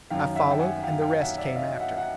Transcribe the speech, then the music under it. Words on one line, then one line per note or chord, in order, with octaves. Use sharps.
I followed, and the rest came after.
F#2 D#3 F5 G5
E5 F#5
G5
F#5 G#5
F5 G5
F5 G5
E5 F#5
D5 E5
D#5 F5
E5 F#5
F#5